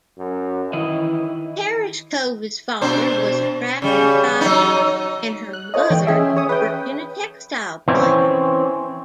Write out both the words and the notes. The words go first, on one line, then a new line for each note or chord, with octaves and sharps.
Tereshkova's father was a tractor driver and her mother worked in a textile plant.
F#2
D#3 E3 E4 D#5
B2 D4 C5
C#3 G3
F#3 D#4
F#6
F4 A4 C#5 D#5
E3 G5
C#4 G#4 E5
C#5 D#6
B4 G5
E3 C4 C#4